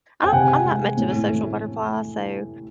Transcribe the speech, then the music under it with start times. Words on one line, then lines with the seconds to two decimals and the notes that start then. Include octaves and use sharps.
I'm I'm not much of a social butterfly, so
0.23 G5
0.32 C3 F#5 G#5
0.65 G#3
0.97 A2
1.29 A3